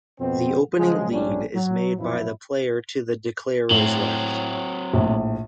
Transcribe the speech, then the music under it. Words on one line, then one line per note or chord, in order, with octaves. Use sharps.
The opening lead is made by the player to the declarer's left.
F2 B2 B3 C4
C#3 F3 F#3 G#3
A#1 A2 G3 C#4 D4
F#3
F#2 B2 F3 E4
A2 F#3 C4
A#1 A2